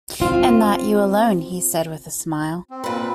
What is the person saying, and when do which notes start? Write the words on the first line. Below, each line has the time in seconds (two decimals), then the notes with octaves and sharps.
"And not you alone," he said, with a smile.
0.20 C4 F4
2.70 C4
2.84 A#2 B4